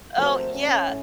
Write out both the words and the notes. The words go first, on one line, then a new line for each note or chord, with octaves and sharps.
Oh, yeah.
F3 A3 C4 D4 F#4 A#4
C#4
A2